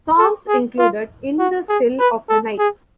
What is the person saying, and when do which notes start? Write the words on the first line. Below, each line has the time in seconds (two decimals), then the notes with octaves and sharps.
Songs included "In the Still of the Night".
0.18 A4
0.48 G#4
0.79 F4
1.39 F#4
1.69 G#4
1.99 B4
2.29 A4
2.59 G#4